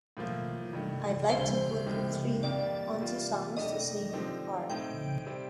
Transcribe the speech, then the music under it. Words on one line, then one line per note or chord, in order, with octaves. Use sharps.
I'd like to put qriii onto songs to sing in the car.
A2 F3 A#3 F4
G2 D#3 A3
D2 D3 G3 C5
C2 C3 D#3 A3
F2 C3 D#3 A#3 D5
C3 G3 A#3 F4
F2 D#3 A3 D4 D#5
D3 F3 C4 D#4 G4
A2 A3 C4 D#4 G5
C3 G3 C4